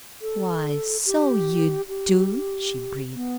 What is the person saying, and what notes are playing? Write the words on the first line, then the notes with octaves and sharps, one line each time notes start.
"Why--so--you--do!" she breathed.
A4
G4
G4
B3